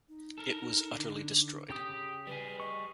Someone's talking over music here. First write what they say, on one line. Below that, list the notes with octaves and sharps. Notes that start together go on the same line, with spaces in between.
It was utterly destroyed.
D#4
A4 A#4
D3
C#3 G4 G5 D#6
G3 G#4 B4
D#5 C#6